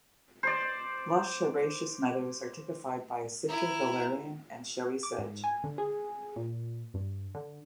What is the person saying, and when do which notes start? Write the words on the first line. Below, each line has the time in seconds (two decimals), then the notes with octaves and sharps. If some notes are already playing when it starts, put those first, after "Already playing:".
Lush herbaceous meadows are typified by Sitka valerian and showy sedge.
0.43 C5 D5
3.48 E4 A#5
5.03 D6
5.18 G#2
5.44 G#5
5.64 D3
5.78 G#4
6.36 A#2
6.94 G2
7.35 D3